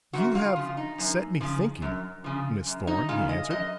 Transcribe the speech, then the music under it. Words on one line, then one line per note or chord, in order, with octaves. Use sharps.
"You have set me thinking, Miss Thorn," he answered.
F#2 F#4
F4
C#3 F3 F4
D#4
F#2
C#3 F3
F#2
C#3 F3
F#2
D#4
C#3 G#3 F4
D#5
F#2 D#5